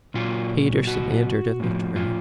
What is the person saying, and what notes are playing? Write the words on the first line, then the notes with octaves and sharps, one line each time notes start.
Peterson entered and looked around.
A#2 F#3 F4
F#4
A2 F3
F4